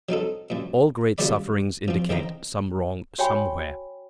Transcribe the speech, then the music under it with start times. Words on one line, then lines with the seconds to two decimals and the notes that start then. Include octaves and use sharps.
All great sufferings indicate some wrong somewhere.
0.09 F#3 C4 D#4 A4
0.50 F#2 A#2
1.18 D#2 C#3 F#3 G3 D5 B5
1.88 F3 C4
2.09 E2 D#3 C4 G5 A#5
3.18 F#4 C#5 G5 G#5 B5 C#6